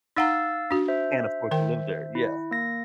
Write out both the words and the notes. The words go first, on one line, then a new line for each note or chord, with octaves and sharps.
Can't afford to live there. Yeah.
D#4 F5 F#5 A#5 E6 A6
D4 F#4
C5 E5
D#3 A#4 G5
E4
A#3 A#6